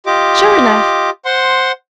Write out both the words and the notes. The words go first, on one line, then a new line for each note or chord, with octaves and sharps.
Sure enough.
F4 G4 D#5 D6
C5 F#5 C6